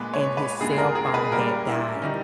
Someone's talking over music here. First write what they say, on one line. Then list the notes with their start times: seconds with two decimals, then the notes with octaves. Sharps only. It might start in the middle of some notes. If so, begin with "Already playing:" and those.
and his cell phone had died.
Already playing: A#2 G#3 B3 B4
0.14 C#5
0.37 B4
0.61 D#2 C#3 G#3 G#4
0.78 A#4
0.95 G#4
1.08 A#4
1.14 B4
1.31 A#2 G3 A#3 A#4
1.67 E4
1.95 C#4
2.02 D#3 G3 D#4